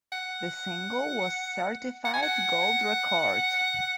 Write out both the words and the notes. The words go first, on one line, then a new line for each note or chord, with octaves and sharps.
The single was certified gold record.
F#5
F#5
G#5
F#5